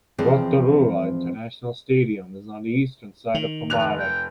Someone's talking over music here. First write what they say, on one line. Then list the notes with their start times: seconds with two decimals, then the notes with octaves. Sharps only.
Rotorua International Stadium is on the eastern side of Pomare.
0.18 F2 E3 F3 C4 G#4 D5
3.34 D#3
3.70 F1 F#6 F7
3.99 G5